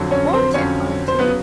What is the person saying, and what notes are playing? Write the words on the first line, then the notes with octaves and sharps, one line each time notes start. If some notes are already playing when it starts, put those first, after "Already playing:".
Won't it, auntie?
Already playing: F2 D3 F#3
C#4 C#5
C4 C5
F2 D3 F#3 C#4 C#5
C5
C#3 F#3 B3 B4